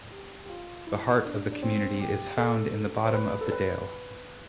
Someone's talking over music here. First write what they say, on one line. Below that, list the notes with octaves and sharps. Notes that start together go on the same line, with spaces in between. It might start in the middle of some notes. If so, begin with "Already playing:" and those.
The heart of the community is found in the bottom of the dale.
G4
G4
F4
E4
D4
D4
C4
G4
A4
C5
B4
A4
B4